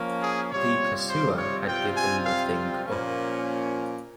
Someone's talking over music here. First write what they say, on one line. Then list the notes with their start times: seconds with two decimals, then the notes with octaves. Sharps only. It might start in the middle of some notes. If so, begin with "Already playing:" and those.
The pursuer had given the thing up.
Already playing: F3 A#3 C#4
0.22 G#4
0.51 C3 G3 C4 F4 C#5
1.09 C5
1.38 C#5
1.67 C3 G3 C4 F4 G5
1.97 G#5
2.25 F5
2.85 A#2 F3 A#3 C#4